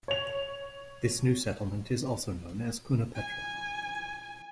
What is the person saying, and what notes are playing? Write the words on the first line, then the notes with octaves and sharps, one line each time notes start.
This new settlement is also known as Kounopetra.
C#5 F7
G#5